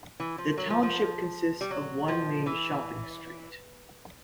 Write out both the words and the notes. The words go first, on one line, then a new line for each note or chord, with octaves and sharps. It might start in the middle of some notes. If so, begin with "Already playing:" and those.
The township consists of one main shopping street.
E3
F3
F#3
F3
F3
G3
F#3
F3
E3